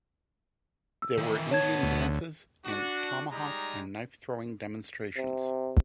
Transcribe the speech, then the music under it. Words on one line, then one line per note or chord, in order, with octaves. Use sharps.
There were Indian dances and tomahawk and knife-throwing demonstrations.
E6
D#3 E3
B3 C#5 A5 G#6
D2
D4 F#4
G3 G#3 D#4 A#5
C3